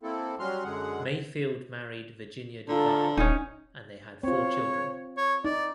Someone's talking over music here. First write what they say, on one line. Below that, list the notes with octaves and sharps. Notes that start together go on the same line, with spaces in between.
Mayfield married Virginia Duval and they had four children.
A#3 C4 E4 A4
F#3 G3 C#4 F#4 C6 F6
F#2 D3 G#3 G#4 F#5
D3 F4 A4 A#5
D#1 C#4 D#4 G#5
C4 F4 C#5
C#5
D#4 D5